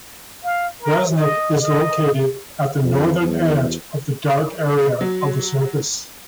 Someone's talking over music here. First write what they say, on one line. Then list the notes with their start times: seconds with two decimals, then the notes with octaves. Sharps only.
Resnik is located at the northern edge of the dark area of the surface.
0.44 F5
0.83 A#4
1.16 D#5
1.60 D#5
2.83 F2
3.22 E2
5.01 F#3